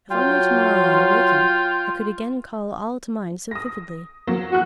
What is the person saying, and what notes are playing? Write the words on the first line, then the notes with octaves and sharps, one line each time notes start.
If only to-morrow on awaking, I could again call all to mind so vividly!
F#3 F4 G5
D#6 A#6
F#3 A#3
E2 F#4 F#6